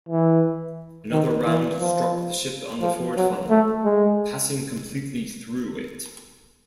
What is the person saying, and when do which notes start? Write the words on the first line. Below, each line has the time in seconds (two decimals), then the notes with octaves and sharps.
Another round struck the ship on the forward funnel, passing completely through it.
0.09 E3
1.12 D#3
1.45 E3
1.80 F3
2.81 F3
3.16 F#3
3.50 A3
3.84 G#3